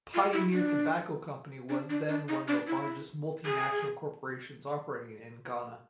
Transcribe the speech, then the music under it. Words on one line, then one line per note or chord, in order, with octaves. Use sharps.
Pioneer Tobacco Company was then one of the largest multinational corporations operating in Ghana.
F4
E4
D4
D4
D4
D4
D#4
D4
E4
G#4